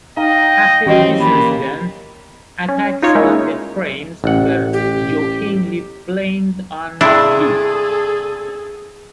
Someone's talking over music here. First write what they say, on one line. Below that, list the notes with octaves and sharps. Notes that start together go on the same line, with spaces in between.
After this incident, attacks on the frames were jokingly blamed on Ludd.
D#4 D#5 F5 G5
D#3 E3 C4 C#4 F#4 G4 D#5
A#2 A#3 B5
C#4
D#4 F4 C#5
G#3 A#3 C#4 D#4 E4
A1 F#5
G4
G2 C3 D4 E4 G#4 A4